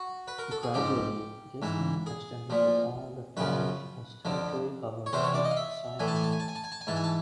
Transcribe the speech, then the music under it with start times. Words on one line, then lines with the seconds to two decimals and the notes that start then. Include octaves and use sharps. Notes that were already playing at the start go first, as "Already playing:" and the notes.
Gradually, this name extended to all the parish whose territory covered six seigniories.
Already playing: F#4
0.28 B4
0.38 A#4
0.51 A4
0.63 G#4
0.74 G#2 F3 G4
1.62 G#2 E3
2.06 G#4
2.50 A#2 F3
3.37 F#2 C#3 F3 B4
4.25 F2 D3 F3
5.06 C#5
5.13 E2 C3 E3 C5
5.24 C#5
5.34 D5
5.45 D#5
5.51 F5
5.57 E5
5.99 A2 E3 G#5
6.08 A5
6.16 G#5
6.24 A5
6.32 G#5
6.40 A5
6.48 G#5
6.56 A5
6.64 G#5
6.72 A5
6.81 G#5
6.87 G#2 E3 A5
6.96 G#5
7.04 A5